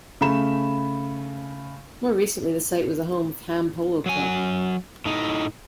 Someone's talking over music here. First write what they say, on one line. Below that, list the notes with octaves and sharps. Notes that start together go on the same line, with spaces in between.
More recently the site was the home of Ham Polo Club.
C#3 A3 B5 E7
F#3 G#5
A2 D#4